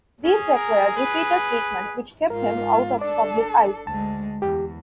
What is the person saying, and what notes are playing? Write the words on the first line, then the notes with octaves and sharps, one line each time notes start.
These required repeated treatment which kept him out of the public eye.
C#4 G#4
A#4
B4
G#2 F4 A#4
D4 A4 D5
D2 G#3 A5
E2 G4